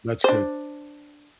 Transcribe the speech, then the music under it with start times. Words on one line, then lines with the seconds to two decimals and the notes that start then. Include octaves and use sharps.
That's good.
0.24 D4 C5